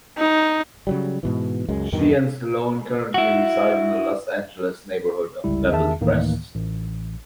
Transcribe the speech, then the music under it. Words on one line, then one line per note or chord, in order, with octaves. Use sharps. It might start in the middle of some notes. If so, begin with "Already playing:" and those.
She and Stallone currently reside in the Los Angeles neighborhood of Beverly Crest.
D#4
C#3 F#3 G3
G#2 B2 E3
C#2 F#2 G#3
E2 G2 B2 D#3
E4 F#4
G1 C#2 G3 E4
E2 D#3 G#4 E5 A5
D2 A2 D#3 E3 A#3
A1